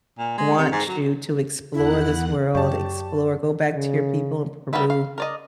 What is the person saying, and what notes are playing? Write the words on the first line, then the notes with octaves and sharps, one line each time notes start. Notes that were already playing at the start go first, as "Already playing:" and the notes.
want you to explore this world, explore, go back to your people in Peru.
A#2
G#3
C3
G#2
F#3
E2 E4 F#5 F#6
F#2 G4 D5 A5 C#6
C#3
G3 B3 A#4 B4 E5
F5
A#4 D5 D#5